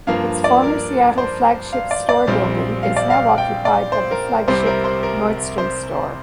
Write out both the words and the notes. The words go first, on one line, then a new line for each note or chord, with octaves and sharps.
Its former Seattle flagship store building is now occupied by the flagship Nordstrom store.
G2 F3 A#3 F5
D5
A#4
C5
F5
D5
D5
A#1 A#2 G3 C4
F5
D5
F5
G5
D5
C5
A#4
C2 C3 G3 C4 C5
A#4
C5
A#4
C5